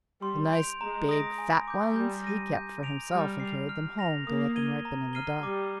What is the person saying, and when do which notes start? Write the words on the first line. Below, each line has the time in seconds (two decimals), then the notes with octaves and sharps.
The nice big fat ones he kept for himself and carried them home to let them ripen in the dark.
0.22 G3 C6
0.51 G6 D7 F7
0.81 G#3 A#5
1.09 D#6 A#6 D7
1.38 G#5
1.67 D6 G6
1.96 G3 G6
2.24 A#6 D#7
2.53 G6
2.83 D7 F7
3.11 G3 F6
3.40 C7
3.45 F7
3.69 F6
3.99 A#6 F7
4.27 A#3 D#6
4.56 G#6 D#7 G7
4.85 A#5
5.13 F6 C7 D#7 G7
5.43 G3 D6